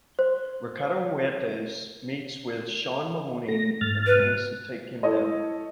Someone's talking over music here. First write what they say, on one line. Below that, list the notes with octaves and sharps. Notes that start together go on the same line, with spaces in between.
Ricardo Huertas meets with Sean Mahoney and plans to take him down.
C5
A3 A#6
G#2 F6 A6
B4
E4 A4 C#5 D#5